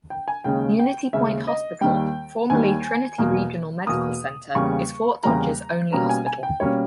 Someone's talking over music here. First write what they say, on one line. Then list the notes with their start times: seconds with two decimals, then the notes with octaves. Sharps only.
Unity Point Hospital, formerly Trinity Regional Medical Center, is Fort Dodge's only hospital.
0.10 G5
0.28 G#5
0.44 D#2 C#3 G#3 C#4 G5
0.79 G5
1.13 D#2 C#3 G#3 C#4 E5
1.47 D#5
1.81 D#2 D#3 G3 G5
2.50 D#2 D#3 G3 G#5
3.18 E2 B2 A#3
3.86 E2 B2 A#3 D#6
4.55 E2 C#3 G3 A#3 C#6
5.23 E2 C#3 G3 A#3 A#5
5.92 B2 G3 A#3 C#4 A#5
6.09 G#5
6.26 G#5
6.43 G5
6.60 B2 G3 A#3 C#4 C#5